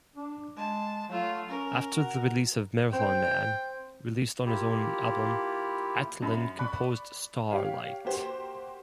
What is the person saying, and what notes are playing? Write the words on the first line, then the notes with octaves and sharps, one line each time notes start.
After the release of "Marathon Man," released on his own label, Atlan composed Starlight.
D4
G#3 A5
F#3 A3 F4
C#4 A#4
F#4
C4 G5
A#3 E4 F4 G4
F#2 B5
D5 B5 C#6 F#6
G4 C#5 F5
A#3 F#4 G4 C5